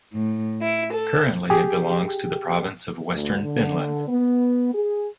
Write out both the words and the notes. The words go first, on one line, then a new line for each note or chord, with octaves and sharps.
Currently it belongs to the province of Western Finland.
A2
E4
A4
G4 G#4 G5
D2
D3
B3
G#4